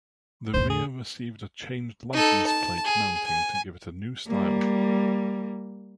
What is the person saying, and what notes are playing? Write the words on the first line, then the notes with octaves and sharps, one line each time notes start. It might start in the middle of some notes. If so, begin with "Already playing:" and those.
The rear received a changed license plate mounting to give it a new style.
E2 A2 C5
G#4
D#4 A4
A5
G#4
G#5
G3 A#3